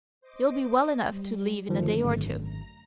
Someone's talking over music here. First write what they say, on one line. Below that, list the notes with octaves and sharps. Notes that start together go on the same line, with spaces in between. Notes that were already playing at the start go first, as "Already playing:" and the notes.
You'll be well enough to leave in a day or two.
C5 D#5 D6
G3
F#2 D3 D#3 F3 A3
G#1
A#5